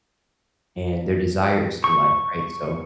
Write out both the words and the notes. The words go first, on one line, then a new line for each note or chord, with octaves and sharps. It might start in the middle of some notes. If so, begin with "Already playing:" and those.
and their desires in life, right, so,
C#6